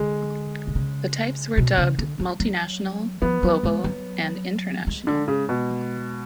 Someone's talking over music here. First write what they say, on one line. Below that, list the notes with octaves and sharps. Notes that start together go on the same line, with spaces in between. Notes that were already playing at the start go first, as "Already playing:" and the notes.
The types were dubbed "Multinational", "Global" and "International".
Already playing: D3 G#3
B2
C#3
B2
C#3
D3
F3
F#3
F3 B3
F#3
G#3
F#3
G#3
D3
C#3
B2